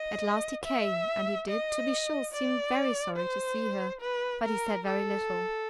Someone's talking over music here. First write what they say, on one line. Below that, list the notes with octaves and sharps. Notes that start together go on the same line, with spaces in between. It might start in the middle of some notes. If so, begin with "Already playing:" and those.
At last, he came, and he did, to be sure, seem very sorry to see her, but he said very little.
Already playing: D#5
E5
D#5
D5
C5
B4
A#4
A4